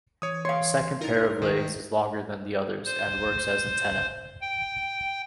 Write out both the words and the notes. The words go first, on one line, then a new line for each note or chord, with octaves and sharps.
The second pair of legs is longer than the others and works as antennae.
E3 C#5 D#6
C#5 F5 C6
D#4 E4 A#4
D#3
C5
G5